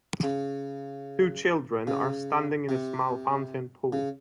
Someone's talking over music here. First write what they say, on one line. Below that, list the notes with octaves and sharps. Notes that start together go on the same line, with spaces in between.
Two children are standing in a small fountain pool.
C#3
C#3
C3
C#3